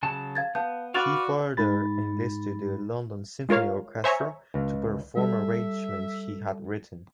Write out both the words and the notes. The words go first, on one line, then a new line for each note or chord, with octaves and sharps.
He further enlisted the London Symphony Orchestra to perform arrangements he had written.
C#3 F#3 A5
F5 G#6 A6
B3 F5 A5 G6
F#4 B4 D5 F5 F#5 A6 F7
G#2 B5 A6
G#3 F4 A#4 C#5 F5
C5 C#5 E5 G#5 A#5 C#6
C#2
G3 A4 E5